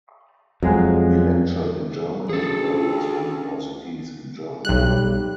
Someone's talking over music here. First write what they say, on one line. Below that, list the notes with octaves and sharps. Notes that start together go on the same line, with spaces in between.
He lectured in German at various universities in Germany.
F2 F#3 G#3 G#4
D2 E3 C#4 G#4 A4
B1 G3 F#6